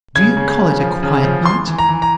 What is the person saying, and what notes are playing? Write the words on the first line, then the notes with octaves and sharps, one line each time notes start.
"Do you call it a quiet night?"
C#3 G#6
C#3
C#3
F3
C#3
F3
E3 C6
E3
A#5
E3
A#5